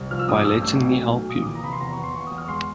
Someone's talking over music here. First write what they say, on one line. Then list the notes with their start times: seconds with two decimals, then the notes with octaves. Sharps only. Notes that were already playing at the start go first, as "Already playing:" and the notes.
By letting me help you.
Already playing: C2
0.11 F3 F6
0.19 E6
0.29 G2 D#6
0.37 D6
0.45 G2 E6
0.62 A1
0.79 B1
0.96 A3
1.13 B1
1.30 A#2 D#6
1.42 D6
1.47 E3 D#6
1.55 A#5
1.64 C3 B5
1.73 C6
1.81 E2 A#5
1.92 C#6
1.98 E2
2.04 C6
2.15 E2 C#6
2.27 E2 D#6
2.38 F6
2.45 C#6
2.48 G#3 C6